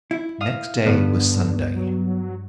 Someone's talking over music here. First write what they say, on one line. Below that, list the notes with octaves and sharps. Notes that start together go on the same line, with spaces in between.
Next day was Sunday.
E4
F5 D#6
G2 D3 B3 D#7
F#3